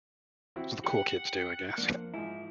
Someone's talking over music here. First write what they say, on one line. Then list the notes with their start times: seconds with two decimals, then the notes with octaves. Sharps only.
it's what the cool kids do, I guess
0.56 C4 E4 F#4
0.84 G4 F#5 G5
1.78 F2 A#3 D4
2.14 G#2 F3 E4